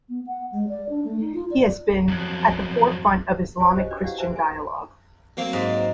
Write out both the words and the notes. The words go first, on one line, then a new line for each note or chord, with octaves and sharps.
He has been "at the forefront of Islamic-Christian dialogue".
B3
F#5
G#3
D5
D4
A3
D#4
F4
D5
F2 F#3
F4 F#4 G#4 C5 C#5 G#5
G4 C5 D#5
C#4 D4 F#4 B4 D5
E4 G4 D5 F5 F#5
B4 C5 E5 F5 G#5 A5
A#4 G#5
F#3 A#3 C4
G#2